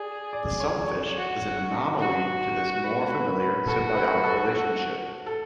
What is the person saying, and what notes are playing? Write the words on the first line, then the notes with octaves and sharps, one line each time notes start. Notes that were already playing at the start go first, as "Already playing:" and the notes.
The Sunfish is an anomaly to this more familiar symbiotic relationship.
Already playing: G#4 D5
D5
C#5
C#5
F#4
F#4
B4
B4
B4
F#4 A4
B4
A4
A4